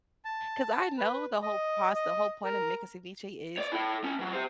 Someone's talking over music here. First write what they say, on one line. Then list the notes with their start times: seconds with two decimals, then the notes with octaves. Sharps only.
'cause I know the whole proc the whole point of making ceviche is,
0.25 A5
0.98 B4
1.42 D#5
1.95 D#5
2.44 A#4
3.58 C#5 D5
3.72 E4 A4
4.04 C#4 E4
4.19 E3 F#3
4.33 G4 C5